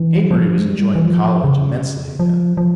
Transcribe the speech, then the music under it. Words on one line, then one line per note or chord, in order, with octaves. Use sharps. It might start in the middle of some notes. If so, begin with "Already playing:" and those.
Amory was enjoying college immensely again.
Already playing: E3
F3
G#3
G3
E3
F3
C#3
F3
F3